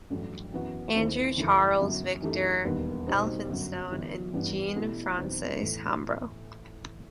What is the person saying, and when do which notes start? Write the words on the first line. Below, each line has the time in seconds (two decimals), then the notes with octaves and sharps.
Andrew Charles Victor Elphinstone and Jean Frances Hambro.
0.10 A1 G2 F#3 A3
0.52 F#2 E3 B3 F#4
0.95 D#2 D#3 A3 C4 E4
1.37 F#1 F#2 E3 A3 E4
1.79 G1 F#2 F#3
2.22 F#2 E3 A3 D#4 G4
2.64 E1 D#2 D#3 G3 B3
3.07 B1 B2 G3 C4 D#4
3.49 G1 F#2 F#3
3.91 G1 G2 E3 G3
4.33 A1 G2 E3 G3 B3
4.76 B2 A3 E4 G4
5.18 E2 B2 F#3 C4 D#4
5.60 A2 E3 A3